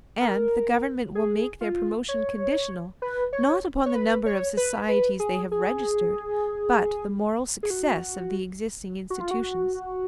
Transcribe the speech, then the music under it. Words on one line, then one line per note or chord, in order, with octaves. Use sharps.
And the Government will make their promotion conditional, not upon the number of societies they have registered, but the moral success of the existing institutions.
A#4
G#4
F4
C#5
B4
C#5
C#5
B4
C#5
B4
B4
G#4
G#4
G#4
F#4
F#4
F4
F#4